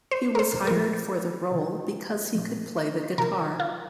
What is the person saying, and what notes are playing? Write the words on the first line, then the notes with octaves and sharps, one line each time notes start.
He was hired for the role because he could play the guitar.
C5
A#4
C5
A#2 F3 A#4
C3 D#3
A#2 F3
C3 F3 A#4
F4